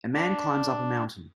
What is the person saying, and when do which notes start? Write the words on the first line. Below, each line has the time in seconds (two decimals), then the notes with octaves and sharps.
A man climbs up a mountain.
0.14 D4